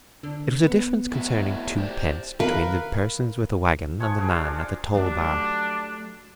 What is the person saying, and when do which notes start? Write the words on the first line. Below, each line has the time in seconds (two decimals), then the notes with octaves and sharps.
It was a difference concerning twopence between the persons with the waggon and the man at the toll-bar.
0.23 D3
0.63 B3
1.11 E3 F#3 A3
1.78 G4 C5 D5
2.40 A#4 B4 F5
4.00 F3 F#5 G#5 C#6
4.18 F#4 G#4 A#4 C5
4.36 D4
4.48 F4
4.94 F#3 G3 A3 D4